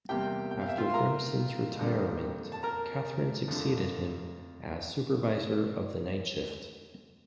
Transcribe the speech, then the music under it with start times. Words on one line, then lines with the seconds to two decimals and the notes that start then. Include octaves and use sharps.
After Grissom's retirement, Catherine succeeded him as Supervisor of the Night Shift.
0.09 E2 C3 G3 A#3 G4 G5
0.51 G5
0.61 F5
0.69 E5
0.78 F4 F5
0.90 C6
0.94 A#4 A#5
1.79 F2 D3 G3 A#3
2.52 A5
2.63 A#4 A#5
3.48 F2 D3 A3